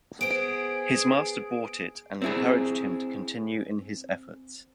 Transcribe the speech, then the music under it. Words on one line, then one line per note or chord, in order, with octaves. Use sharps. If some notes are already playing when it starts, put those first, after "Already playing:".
His master bought it and encouraged him to continue in his efforts.
B3 G#4 C5 D7
C4 E4 G#4